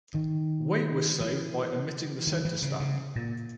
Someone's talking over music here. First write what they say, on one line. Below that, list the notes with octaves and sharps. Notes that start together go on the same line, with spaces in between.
Weight was saved by omitting the centerstand.
D#3
E3
D#3
E3
C#3
C#3
A#2